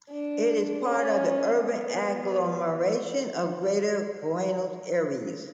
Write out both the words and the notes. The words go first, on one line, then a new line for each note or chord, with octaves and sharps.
It is part of the urban agglomeration of Greater Buenos Aires.
D4
C#4
B3